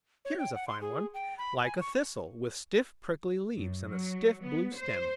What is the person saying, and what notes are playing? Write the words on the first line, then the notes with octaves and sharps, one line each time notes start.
Here is a fine one, like a thistle, with stiff prickly leaves, and a stiff blue stem.
C#5
G5
F#5
C6
G#4
G5
B5
G#5
C#6
F#2
F#3
B3
C5